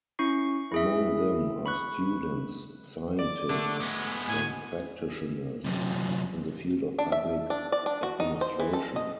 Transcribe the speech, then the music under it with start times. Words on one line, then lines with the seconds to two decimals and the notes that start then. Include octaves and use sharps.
Among them are students, scientists and practitioners in the field of public administration.
0.19 C#4 E4 C#6 C7
0.72 E4 G#4 E5
1.66 B5 C#6 F#6
3.19 D5 D6
3.50 D3 A3 D4
3.81 G#3 B3
4.28 A2 G#5
5.65 F#2 C3
6.98 D4
7.12 E5
7.50 D4
7.72 D5
7.86 D4
8.03 F#4
8.20 D#4
8.41 C5
8.60 E3
8.73 A4
8.96 D#5